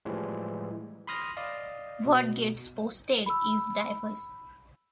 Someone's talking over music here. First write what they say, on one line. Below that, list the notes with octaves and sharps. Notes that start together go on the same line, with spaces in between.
What gets posted is diverse.
A2 E3 F3 G3 G#3
B5 C6 D#6 F6 A#6
D5 D#5 F5
B2
B5 E6